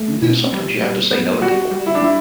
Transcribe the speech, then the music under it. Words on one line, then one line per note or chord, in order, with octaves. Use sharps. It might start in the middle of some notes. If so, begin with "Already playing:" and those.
and do sometimes you have to say no to people
Already playing: A3
B2
G3
G3
B3
G3 F#4
G3
E4
D4
G3 E4